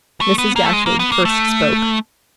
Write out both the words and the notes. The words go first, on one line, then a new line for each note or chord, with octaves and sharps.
Mrs. Dashwood first spoke.
A3
B3
A#3
A3
G#3
A#3
B3
A#3
A3